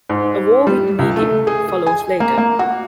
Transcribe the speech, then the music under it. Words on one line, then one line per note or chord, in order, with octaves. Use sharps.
A war with Midian follows later.
G#2
G3
C#2
A3
G#4
G#4
G#5
A#3
A#3
F#4